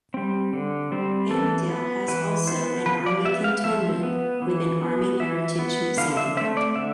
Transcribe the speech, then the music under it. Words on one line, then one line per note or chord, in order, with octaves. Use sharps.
Annadale has also an army cantonment with an Army Heritage Museum.
G3 C4
D3
G3 C4
E3 A4
B3
E3 B4
B3 C5
F3 B4
D5
B3 E5
F5
F3 E5
B3
E3
B3
E3 E5
B3
D3 F5
E5
A3 C4 E5
D5
D3 E5